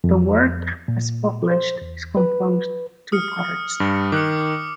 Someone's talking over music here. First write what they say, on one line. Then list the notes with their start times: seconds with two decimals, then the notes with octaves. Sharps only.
The work as published is composed of two parts.
0.04 F2
0.88 A#2
1.51 C5
1.82 E2
2.17 B4
3.12 D#6 F6 C#7
3.80 G2 G3
4.12 D#3 D6 F#6 C#7